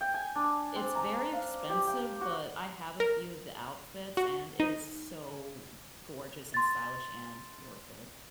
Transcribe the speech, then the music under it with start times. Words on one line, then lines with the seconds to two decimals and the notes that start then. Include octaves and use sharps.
it's very expensive, but I have a few of the outfits, and it is so gorgeous and stylish and worth it.
0.01 G5
0.14 G#5
0.35 D4
0.76 C4
0.95 A#5
1.33 F5
1.70 G4
1.87 G5
2.21 F#4
3.00 A#4
4.17 F#4
4.60 D#4
6.54 C6 A6